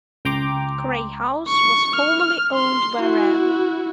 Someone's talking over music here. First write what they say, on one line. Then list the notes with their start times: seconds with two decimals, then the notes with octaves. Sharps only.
Cray House was formerly owned by Rev.
0.25 C#2 G5 A#5 C6 D6
1.48 C#6
1.96 F6
2.54 C6
2.99 E4 F#4